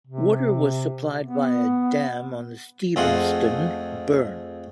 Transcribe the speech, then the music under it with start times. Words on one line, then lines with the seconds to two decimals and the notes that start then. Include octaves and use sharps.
Water was supplied via a dam on the Stevenston Burn.
0.07 C3
1.23 B3
2.96 F2 A3 F4 G#4 F#5